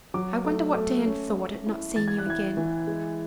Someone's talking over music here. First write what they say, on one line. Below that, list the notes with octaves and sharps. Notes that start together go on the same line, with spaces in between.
I wonder what Dan thought at not seeing you again?
F#3 D6
A3
A3
C#4
C#4
E4
E3 A6
G#6
F#6
E4 G#6
E3
G#3